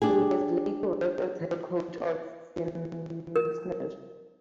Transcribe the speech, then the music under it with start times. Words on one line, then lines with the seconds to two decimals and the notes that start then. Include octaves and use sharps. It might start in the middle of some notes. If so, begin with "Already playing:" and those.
He has later worked as head coach of Finnsnes.
0.02 D4 G4 G#4
3.36 A#4